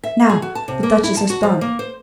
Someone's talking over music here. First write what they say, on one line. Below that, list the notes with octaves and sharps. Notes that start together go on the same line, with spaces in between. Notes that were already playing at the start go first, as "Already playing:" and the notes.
Now--the duchess has done.
E5
G#4
F#4
A5
C3
A#3
E4
A5
F#4
F3
A#3
C5